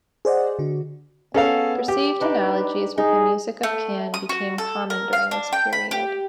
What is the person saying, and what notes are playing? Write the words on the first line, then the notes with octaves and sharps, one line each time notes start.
Perceived analogies with the music of Can became common during this period.
G#4 C5 D5 D#5 F#5
D3 F#4
B3 C#4 G#4 A4 C#5 F5
G4
D4 D#4 B4
D#4 G#4
A3
D#6
F#4
A4
A#4
F5
D4
G5
B5
G4